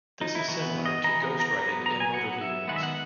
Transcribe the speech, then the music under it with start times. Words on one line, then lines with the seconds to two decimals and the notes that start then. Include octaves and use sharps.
This is similar to ghost-riding in motor vehicles.
0.21 D#4
0.35 E4
0.48 E3 B3 F#4
0.86 D#5
1.04 E3 B3 A#5
1.22 A#5
1.40 A#5
1.59 F#3 B3 A#5
1.86 A#5
2.00 G#5
2.13 F#3 B3 F#5
2.41 E5
2.68 D#3 G#3 B3 F#5
2.76 E5
2.83 F#5